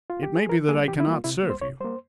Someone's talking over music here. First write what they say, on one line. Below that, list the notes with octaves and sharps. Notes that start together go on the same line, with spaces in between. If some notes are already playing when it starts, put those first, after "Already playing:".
It may be that I can not serve you.
F4
G4
G#4
E3 A#4
G3 A#3 G#4
E3 G4
E4
G3 A#3
F4
C3 E4
G3 A#3
C5
C3 C#5
G3 A#3 C5